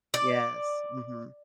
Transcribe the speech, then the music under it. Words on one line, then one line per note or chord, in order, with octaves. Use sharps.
Yes, mhm.
D5